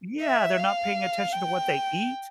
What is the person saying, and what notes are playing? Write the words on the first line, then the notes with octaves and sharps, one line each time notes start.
Yeah, they're not paying attention to what they eat,
E5
F5
G5